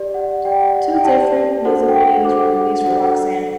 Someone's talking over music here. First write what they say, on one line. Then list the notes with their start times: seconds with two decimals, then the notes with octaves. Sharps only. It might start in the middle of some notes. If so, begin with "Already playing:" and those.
Two different music videos were released for "Roxanne".
Already playing: G4 D5
0.14 F#5
0.45 G4 D5 G5
0.60 F#5
0.75 F#5
0.90 G5
1.04 G4 D5 A5
1.65 D4 F#4 A4 C5 F#5
1.88 G5
1.94 F#5
2.24 D4 F#4 A4 C5 D6
2.40 F#5
2.55 F#5
2.69 F#5
2.84 D4 F#4 A4 C5 F#5